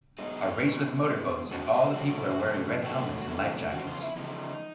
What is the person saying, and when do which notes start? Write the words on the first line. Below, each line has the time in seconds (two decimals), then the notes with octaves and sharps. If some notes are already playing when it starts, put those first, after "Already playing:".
A race with motor boats and all the people are wearing red helmets and life jackets.
0.18 B2 G#3 D#4
0.63 B2 G#3
1.07 B2 G#3
1.51 B2 G#3 F#4
1.73 G4
1.95 F2 C3 D#3 F#3 A3 F#4
2.39 F2 C3 D#3 F#3 A3
2.83 F2 C3 D#3 F#3 A3 F#4
3.28 F2 C3 D#3 F#3 A3
3.72 E2 C#3 F3 F#4
3.87 F4
4.01 E4
4.16 E2 C#3 F3 G#3 D#4